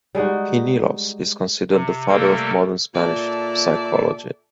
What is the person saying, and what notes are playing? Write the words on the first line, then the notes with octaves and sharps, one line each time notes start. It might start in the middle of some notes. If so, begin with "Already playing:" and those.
Pinillos is considered the father of modern Spanish psychology.
G3 G#3 D#4 F#4
C3
C3 G3 A3 A#3 A4 A#4
A#2 A4 D5 E5 A5